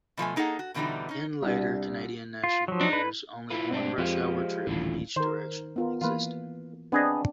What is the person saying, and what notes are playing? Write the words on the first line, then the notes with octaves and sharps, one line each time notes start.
In later Canadian National years, only one rush-hour trip in each direction existed.
B2 F3 A3 G#5
A#3 D#4 G#4 A4 F#5
F#4
E2 B2 D3 E3 G3 D#4
C#4 D#4
C2 D4
F4
F3 F#3
D4 D#4
B4
E4 F4 B4
D2 G#2 G3 C4 D4
F2 F3 G#3 G4 C5 F5
D#1 A1 D3 E3 F4
D#3 A#4 C5
B3 F4 A#4
E3 A#3 F4 B4
B3 C4 D4 G#4 D#5